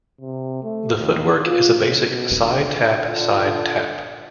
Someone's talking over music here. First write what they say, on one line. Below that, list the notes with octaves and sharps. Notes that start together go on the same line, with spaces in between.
The footwork is a basic side-tap, side-tap.
C3
A3
D#2
F4
C#3
B2
D3
A#2 D3